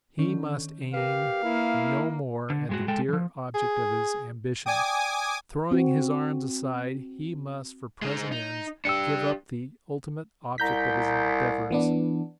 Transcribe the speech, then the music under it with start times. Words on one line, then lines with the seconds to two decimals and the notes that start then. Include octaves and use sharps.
He must aim no more at the dear object of his ambition; throwing his arms aside, he must for present ends give up the ultimate object of his endeavours.
0.19 D3 D#3 C#4
0.94 G4 A#4 B4 F5
1.44 A#3 E4
2.50 D3
2.69 G2 G#3 F#4
2.88 G#3 A4 G5
3.09 E3 F3
3.54 G#4
4.66 D5 G5 G#5 D6 D#6
5.71 C4 F#4
8.02 G#3 D#4
8.32 D#4
8.85 D4 G4 E6 C#7
10.58 C2 A#5 G6 B6
11.71 E3 B3 D4